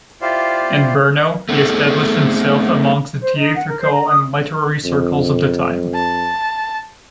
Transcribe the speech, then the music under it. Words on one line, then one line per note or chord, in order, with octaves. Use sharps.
In Brno, he established himself amongst the theatrical and literary circles of the time.
E4 F4 G4 C5 D5 F5
A3 B3 C4 D#4 G#4 A4
C5
D#4
F#5
A#4
C5
A#5
D#6
F2
A5